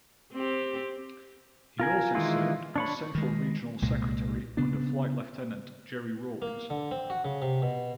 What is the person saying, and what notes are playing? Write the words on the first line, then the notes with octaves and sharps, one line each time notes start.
He also served as Central Regional secretary under Flight Lieutenant Jerry Rawlings.
C4 G4
F4 A#4 G#5
D#3 E3 G#3 E4 F4
D4 C#5 B5
D#3 G#3
C2 A#2 G#3
C#3 B3 D4
A#3
D3
C4
F#4
C#3
C3
B2